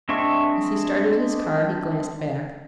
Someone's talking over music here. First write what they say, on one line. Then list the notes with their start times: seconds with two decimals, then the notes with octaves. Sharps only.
As he started his car he glanced back.
0.09 G#3 C4 D4 E5 C#6